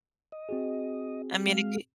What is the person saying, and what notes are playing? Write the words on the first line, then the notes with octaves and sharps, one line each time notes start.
I mean, it could
D#5
C4 F#4 G#4
G#3 F5